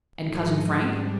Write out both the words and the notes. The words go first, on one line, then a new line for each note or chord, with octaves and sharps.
"And cousin Frank?"
G#2 F3 G#3 D#4
G#2 G3 D4